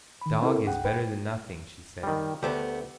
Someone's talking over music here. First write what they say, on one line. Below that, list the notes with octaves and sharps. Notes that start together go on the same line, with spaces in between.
"A dog is better than nothing," she said.
D#3 B5
C4 E4 A4 A#4
C#2 G2 G#4 F#5 G5
B4 G5
D#3 G3
D2 A3 B3 G4 G5